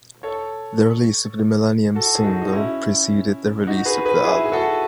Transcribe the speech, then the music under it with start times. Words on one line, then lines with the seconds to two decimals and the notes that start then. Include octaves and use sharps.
The release of the "Millennium" single preceded the release of the album.
0.23 A4 C#5
1.95 F#4 A4
2.15 G#4
2.24 D#4 F#4
2.42 D#4
2.53 C#4 E4
3.67 D#4 F#4
3.85 G#4 B4
4.05 G#4 B4
4.24 E4 G#4
4.45 G#4
4.52 F#4 A4